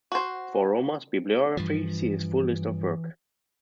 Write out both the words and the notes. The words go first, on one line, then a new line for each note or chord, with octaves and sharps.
For Rohmer's bibliography, see his full list of work.
F#4 C5
G2 E3 F3